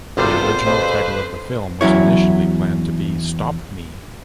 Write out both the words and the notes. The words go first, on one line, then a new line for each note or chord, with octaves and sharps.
The original title of the film was initially planned to be "Stop Me".
G#1 C3 G3 B3 F4 A4 C5
F2 B4
E2 F#3 C#4 E4 C#5